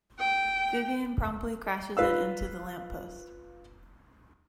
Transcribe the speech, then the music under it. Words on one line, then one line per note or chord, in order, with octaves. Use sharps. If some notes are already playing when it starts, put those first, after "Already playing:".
Vyvyan promptly crashes it into the lamppost.
G5
F4 B4 F5 E6